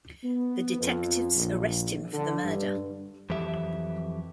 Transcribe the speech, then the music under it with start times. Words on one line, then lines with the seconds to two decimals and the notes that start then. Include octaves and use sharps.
The detectives arrest him for the murder.
0.23 B3
0.80 F2
1.34 A#1
2.12 D3
2.43 G2
3.30 F2 E3 F#3 G4 E5